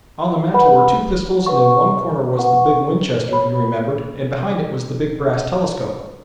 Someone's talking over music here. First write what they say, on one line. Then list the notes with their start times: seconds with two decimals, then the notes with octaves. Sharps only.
On the mantel were two pistols and in one corner was the big Winchester he remembered and behind it was the big brass telescope.
0.54 B4 F#5 B5
1.46 B4 F#5 C#6
2.38 B4 F#5 C#6
3.29 C#5 B5